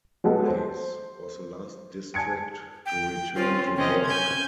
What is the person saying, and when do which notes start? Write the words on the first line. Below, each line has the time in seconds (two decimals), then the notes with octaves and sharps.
Dowlais was the last district to return to work.
0.24 F#3 G#3 B3 G4 A4
0.48 C5
2.14 G#5 A5 G#6 C#7 D7
2.86 G5
3.35 C4 C#4 F4
3.76 C3 C4 C#4 D#5
4.05 G#5 G6 G#6